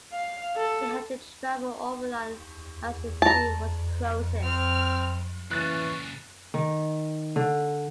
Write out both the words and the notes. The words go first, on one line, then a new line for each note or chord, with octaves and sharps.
He had to travel overland as the sea was frozen.
F5
A4
A5 A#5
C4 F6
A#2 C#3 E3 C#4 F#6 A6
D#3
D3